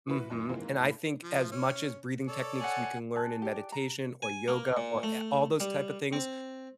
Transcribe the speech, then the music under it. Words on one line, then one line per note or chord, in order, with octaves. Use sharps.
Mhm. And I think as much as breathing techniques we can learn in meditation, or yoga, or a all those type of things
E3 E4 F#4 B4
F#2 A#2 D#3
G#2 D#3 E3 A#3 C4 F4
A2 B5
F3
C#4
A4 C#5 D5
F#5 G#5
G#5 A5 F#6
G4 D5
A#5
G#5
A#3
A#2
A3
G3
C4